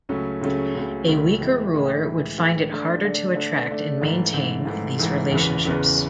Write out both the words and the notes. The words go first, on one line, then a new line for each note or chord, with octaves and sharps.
A weaker ruler would find it harder to attract and maintain these relationships.
C#2 C#3 F#3 A3 C#4
C#2 C#3 F#3 A3 C#4
C#2 C#3 F#3 A3 C#4
C#2 C#3 F#3 A3 C#4
A2 E3 G#3
A2 E3 G#3
A2 E3 G#3
A2 E3 G#3
D3 A3 D4
D3 A3 D4
D3 A3 D4
D3 A3 D4
A1 G#2 E3 A3
A1 G#2 E3 A3
A1 G#2 E3 A3
A1 G#2 E3 A3
F#1 E2 C#3 E3 B3
F#1 E2 C#3 E3 B3